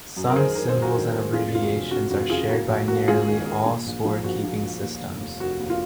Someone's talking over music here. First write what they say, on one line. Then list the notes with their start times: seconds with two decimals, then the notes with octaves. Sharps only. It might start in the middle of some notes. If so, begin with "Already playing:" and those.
Some symbols and abbreviations are shared by nearly all scorekeeping systems.
0.16 F#2
0.30 A#4
0.36 D#3 G#4 C5
0.55 D#3 A#4
0.69 C5
0.75 F#2
0.82 F#4 A#4
0.95 D#3
1.13 A#3
1.33 F2 F4 G#4
1.53 F1 F4
1.63 F#4
1.72 F1
1.91 F2 F#4
2.11 F2 F#4
2.30 C#3 F4 G#4
2.49 A#3 F#4
2.69 A#1 F#4
2.88 A#3 F#4
3.08 G#2 F4 G#4
3.27 D#3
3.46 A#3
3.66 A#2
3.86 A#1
4.05 F3
4.24 A#1 F#4
4.44 F3
4.62 A#1
4.82 D#2
5.02 F1
5.21 D#2
5.40 F1 F#4
5.60 D#2
5.70 F4